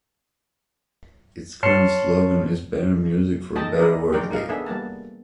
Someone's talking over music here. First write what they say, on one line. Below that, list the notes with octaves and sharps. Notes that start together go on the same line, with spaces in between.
Its current slogan is Better Music For a Better Workday.
C#5 A5 C6 F6 C7 C#7
D#4 A4 D#5 G5 A5
E4 A#4 D5 D#5
G#3 D4 A#4 D5 G5
D#4 A#4 F5
B3 D4 G#4 A4 E5
G3 A#3 B3 A5